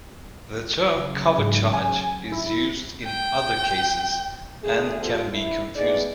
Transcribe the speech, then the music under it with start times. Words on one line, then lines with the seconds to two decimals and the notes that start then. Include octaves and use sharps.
The term "cover charge" is used in other cases, and can be confusing.
0.84 C#3 F#3
1.38 G#2
1.73 G#5
2.32 E4
3.05 G5
4.62 D2 A3 G#4
5.01 F3 F4 G4 A4 C5
5.31 E4
5.75 A3 B3 D#4 G#4 D5